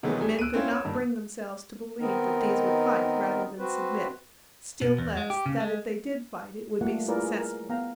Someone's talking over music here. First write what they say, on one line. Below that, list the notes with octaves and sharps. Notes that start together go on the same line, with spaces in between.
Men could not bring themselves to believe that these would fight rather than submit, still less that if they did fight it would be successfully.
C3 D#3 E3 F#3 G#3 B3
G3 A3 G#4
E6 F#6 D7 D#7
C4 C#4 E4 F5
C#5 E6
G2 A#2 D#3
D#3 B3 C4 D#4 A#4
C4 F#4 B4 C5
B2
E2
G#3
G4
C#3
G#3
G3 A3 A#3 F4 G4 F#5
E4 F4 G#4 A#4 B4 D5
G#4
A#4
B3 F5 G5 A#5